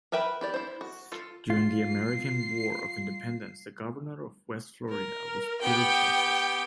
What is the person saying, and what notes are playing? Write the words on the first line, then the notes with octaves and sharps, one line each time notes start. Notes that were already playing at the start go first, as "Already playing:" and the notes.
During the American War of Independence the Governor of West Florida was Peter Chester.
A#4 B4 E5 G5 B5
E4 G4 D5
E4 C5
F#4
F4 A4
F4 C7
A#4
B3 G4 G5